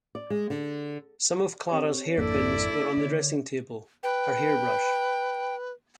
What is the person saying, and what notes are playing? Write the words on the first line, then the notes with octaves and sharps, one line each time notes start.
Some of Clara’s hair-pins were on the dressing-table — her hair-brush.
D5
G#3
D3
C4 G4 C#5
G#1 F2 A#3 D4 E4 A4 D5
D3 C#5
B4 G5